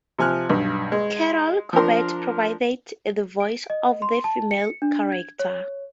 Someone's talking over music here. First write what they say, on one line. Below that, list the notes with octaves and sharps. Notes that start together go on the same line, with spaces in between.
Carol Corbett provided the voices of the female characters.
C3 F3 G#5 F6 F#6
B1 G2
G#3
F3 D4 A#4 C6
D7
D#5
C6
A5
C#7
D4
G#6
C#5